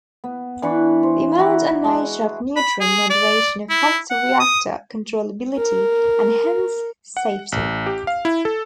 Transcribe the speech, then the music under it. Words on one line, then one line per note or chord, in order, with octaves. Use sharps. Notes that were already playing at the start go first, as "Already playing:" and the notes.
The amount and nature of neutron moderation affects reactor controllability and hence safety.
B3
E3 D4 B5 C#6
C5
E4 F#4 A#5 B5
G#3
B5
G#4
D5
E4
F#5
D#6
A#4
F#5
A1
G4
F5
E4
A4